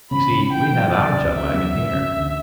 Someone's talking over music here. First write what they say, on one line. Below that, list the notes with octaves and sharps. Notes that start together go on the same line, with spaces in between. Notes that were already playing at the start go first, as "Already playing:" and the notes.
You see we have our chuck wagon here.
C#3 B5
C#3
E3 G5
F#2
F#2 D5
C#3
C#3 E5
F#2
C#3
C#3
D2